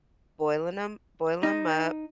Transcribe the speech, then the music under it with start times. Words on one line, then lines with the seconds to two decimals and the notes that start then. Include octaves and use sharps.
boiling ‘em boil ‘em up,
1.43 D#4